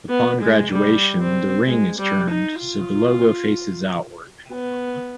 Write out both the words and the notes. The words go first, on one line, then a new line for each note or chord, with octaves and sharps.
Upon graduation, the ring is turned so the logo faces outward.
B3
G#3
G3
C4
G#3
G3
D#4
F4
B3